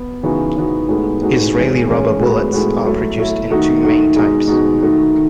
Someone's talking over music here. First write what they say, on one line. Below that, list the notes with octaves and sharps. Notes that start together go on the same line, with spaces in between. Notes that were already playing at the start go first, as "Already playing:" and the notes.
Israeli rubber bullets are produced in two main types.
Already playing: B3
C#3 E3 B3 D#4 F#4
C#3 E3 B3 D#4 F#4
A2 G#3 B3 D#4 F#4
A2 G#3 B3 D#4 F#4
E3 G#3 C#4
E3 G#3 C#4
A2 G#3 B3 F#4
A2 G#3 B3 F#4
F#3 A3 E4
F#3 A3 E4
D#3 A3 D#4 F#4
D#3 A3 D#4 F#4
B2 G#3 D#4
B2 G#3 D#4
D#3 A3 D#4 F#4
D#3